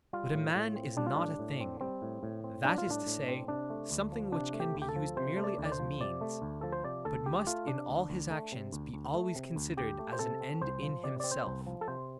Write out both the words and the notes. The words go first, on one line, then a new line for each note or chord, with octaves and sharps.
But a man is not a thing, that is to say, something which can be used merely as means, but must in all his actions be always considered as an end in himself.
G3 F4
A2
A2
C4
G3 D4
F4
A2 D4
A2
C4
G3 C4
A2
A2
C4
G3 D4
F4
A2 D4
A2
C4
C3 D4
A3
D2
F3
C3 D4
A3
G4
D2
G4
A4
F3
C3 C5
A3
D5
D2
D5
C5
F3
C3 D5
A3
D2
F3 A4
C5
C3 D5
D2 A4
D2 G4
A3 F4
C3 D4
D2
D2
A3
C3
D2
D2
A3
C3
D2
D2 G4
A3
C5
C3 A4
C4
C2 C5
F3
C3 D5
C4 D5
C5
C2
F3
A4
C3 C5